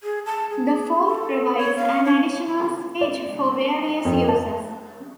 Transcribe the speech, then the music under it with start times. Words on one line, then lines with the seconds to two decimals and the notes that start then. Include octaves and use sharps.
The fourth provides an additional stage for various uses.
0.03 G#4
0.26 A5
0.50 G#4
1.06 A4
1.57 C#5
1.76 F5
2.04 C#5
3.01 D5
4.05 F2
4.29 A5